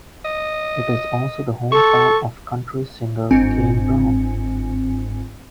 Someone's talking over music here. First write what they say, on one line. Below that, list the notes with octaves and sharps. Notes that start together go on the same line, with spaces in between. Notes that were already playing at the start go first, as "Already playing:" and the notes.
It is also the hometown of country singer Kane Brown.
D#5
A4 C#6
G1 G#2 C4 G#5 C#7